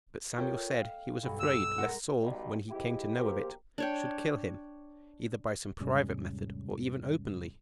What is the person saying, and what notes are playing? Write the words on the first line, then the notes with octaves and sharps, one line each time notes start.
But Samuel said, he was afraid lest Saul, when he came to know of it, should kill him, either by some private method or even openly.
F4 A4 A#4 C#5 D#5 G5
F5
B1 G2
E6
G#3 A#4 F#5
B1 G3
F2 G#3 E4 G4
B1 A#3 G4 A#4 C5
D4 C#5 G5
E2 G#2 C3 G3 G#3 C#4